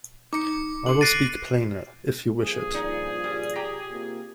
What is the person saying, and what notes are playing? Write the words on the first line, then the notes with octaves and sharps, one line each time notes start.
I will speak plainer, if you wish it.
D#4 D6 C#7
D3 C6 F#7
F#6 A6 A#6 C7 D7 D#7
G2 A#2 F3 G#4
D#4 D5
G3
G4 G5 A#5
C3 A#3 F4